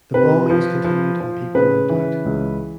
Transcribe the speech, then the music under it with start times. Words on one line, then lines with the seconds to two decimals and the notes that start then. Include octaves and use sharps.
The bombings continued and people moved out.
0.14 C3 B4
0.50 F3
0.84 F3
1.20 F3
1.55 C#3 B4
1.89 E3
2.25 C#2